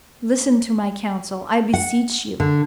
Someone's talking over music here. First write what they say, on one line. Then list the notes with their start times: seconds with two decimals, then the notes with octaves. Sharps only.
Listen to my counsel, I beseech you.
1.73 F#5
2.40 D3